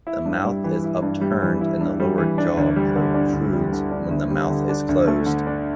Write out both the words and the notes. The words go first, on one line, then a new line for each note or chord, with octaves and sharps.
The mouth is upturned and the lower jaw protrudes when the mouth is closed.
E4
G2
G3
E3
E4
G2
G3
E3
E4
G2
G3
E3
D4
D2
G3
D3
D4
D2
G3
D3
D4
D2
G3
D3
D4
D2
A3
D3
D4